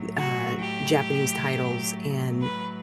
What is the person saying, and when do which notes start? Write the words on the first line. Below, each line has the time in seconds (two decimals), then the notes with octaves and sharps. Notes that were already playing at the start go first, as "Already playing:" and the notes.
uh, Japanese titles and
Already playing: A2 F#3
0.16 F#4
0.61 G4
2.41 B4